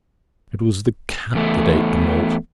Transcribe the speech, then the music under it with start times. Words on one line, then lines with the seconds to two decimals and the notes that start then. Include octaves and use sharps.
It was the cat that ate the malt.
1.35 E2 A3